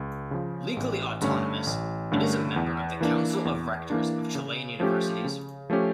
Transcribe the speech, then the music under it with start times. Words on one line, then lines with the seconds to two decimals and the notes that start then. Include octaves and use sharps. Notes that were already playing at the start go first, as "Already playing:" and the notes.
Legally autonomous, it is a member of the Council of Rectors of Chilean Universities.
Already playing: C#2
0.31 C#3 F3
0.77 A1
1.21 G2 D3 A3 C#4
1.67 A1
2.12 G2 D3 A3 C#4
2.56 E2
3.01 E3 A#3 D4
3.45 E2
3.90 E3 A#3 D4
4.35 C#3
4.80 F3 A3 C#4 G4
5.25 C#3
5.70 F3 A3 C#4 G4